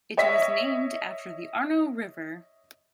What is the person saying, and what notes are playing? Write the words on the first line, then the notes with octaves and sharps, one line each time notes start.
It was named after the Arno river.
C#5 D#5 E5 B6